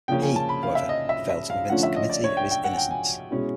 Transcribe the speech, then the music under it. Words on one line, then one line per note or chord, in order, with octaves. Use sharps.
He, however, failed to convince the committee of his innocence.
C#3 F3 A#3 C#4 G5
G#5
A5
B5
F5
E5
D#5
E5
E5
F5
D3 F3 A3 C#4 F4 F#5
E5
D#5
D5
C#5
G5
G5
F#5
G#5
G5
G#5
B2 G#3 C#4 E4